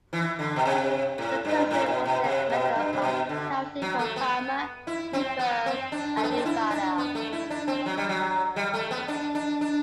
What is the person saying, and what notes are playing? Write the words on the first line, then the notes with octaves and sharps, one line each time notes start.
The "person" was their method of accounting for karma, rebirth, and nirvana.
E3
D3
B2
C3
A2
G2
A2
B2
B2
C3
B2
G2
C3
B2
D3
F#3
A3
B3
E4
C4
B3
C4
D4
A3
B3
C4
D4
E4
D4
B3
A3
E4
D4
C4
F#3
G3
F#3
G3
A3
B3
D4
D4
D4